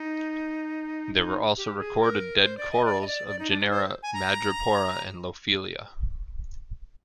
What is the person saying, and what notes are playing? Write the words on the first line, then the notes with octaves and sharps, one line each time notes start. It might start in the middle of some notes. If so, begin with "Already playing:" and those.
There were also recorded dead corals of genera "Madrepora" and "Lophelia".
Already playing: D#4
D#4
G4
G#4
A#4
C5
D5
D#5
D5
D#5
D5
D5
D#4
D4
D#4
C5
G#5
A#5